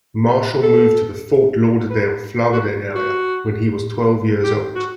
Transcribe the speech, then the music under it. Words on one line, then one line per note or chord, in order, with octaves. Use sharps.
Marshall moved to the Fort Lauderdale, Florida area when he was twelve years old.
A4
B4
F#4
F#4
G4
F#4